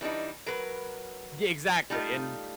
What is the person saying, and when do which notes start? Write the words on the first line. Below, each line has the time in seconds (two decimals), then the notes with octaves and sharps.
Yeah, exactly, and
0.01 E3 G3 D4 D#4
0.46 F#3 A#4 B4
1.90 G3 A3 D#4 F4